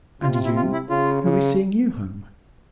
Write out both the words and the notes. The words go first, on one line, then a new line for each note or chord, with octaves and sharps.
"And you, who is seeing you home?"
C3 F4
F4
E4
F4
E4
C#3 F4
C#3